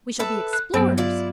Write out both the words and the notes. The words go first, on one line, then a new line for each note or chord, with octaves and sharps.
We shall be explorers.
A4 B4 E5
F#6
G2 F#3 B3 C4
E4 F4 D5